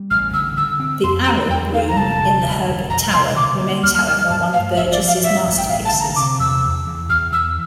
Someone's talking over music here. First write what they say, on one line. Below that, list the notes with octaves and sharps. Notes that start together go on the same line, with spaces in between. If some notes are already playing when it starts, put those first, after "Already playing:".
The Arab Room in the Herbert Tower remains however one of Burges's masterpieces.
Already playing: G3
A1 F6
D3 E6
D3 E6
C4
F2 C6
A3 A#5
E2 G5
A3 F5
A#5
F1 A5
D3
D2
E1
E1 A#5
C3 C6
D3 D6
A#3
D2 F6
F6
G3 F6
F6
G2 A5
A3 F5
A1 E5
D5
F3
F5
G2 E5
A1
G5
A1 F5
A5
D3
A#5
C3 D6
E2 E6
E2
E3
E2 F6
E3 E6